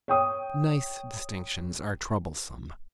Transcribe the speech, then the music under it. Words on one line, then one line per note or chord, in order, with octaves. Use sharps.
Nice distinctions are troublesome.
C#5 G5 D#6